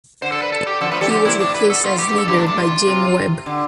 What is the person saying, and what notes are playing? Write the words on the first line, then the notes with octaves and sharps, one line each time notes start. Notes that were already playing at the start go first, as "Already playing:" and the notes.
He was replaced as leader by Jim Webb.
D3 C5
A4
B4
A4
G4
D3 F3 A4
F3 A3 B4
E3 G3 A4
D3 F3 G4
C3 E3 E4
A2 D4
B4
B2 A4
B2 F4
A2 G4
G4
G2
A4
G2 G4
A2 D4
A2 D4
G2 F4
A2
C3
D3